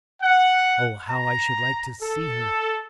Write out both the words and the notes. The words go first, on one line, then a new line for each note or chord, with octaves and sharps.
Oh, how I should like to see her!
F#5
A#5
A4